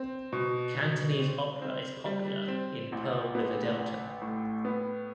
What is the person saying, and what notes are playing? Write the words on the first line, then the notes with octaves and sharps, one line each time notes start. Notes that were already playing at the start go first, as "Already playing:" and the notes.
Cantonese opera is popular in Pearl River Delta.
Already playing: C4
B2
B2
C4
C4
G3
C4
A1
B3
A1
A2
B3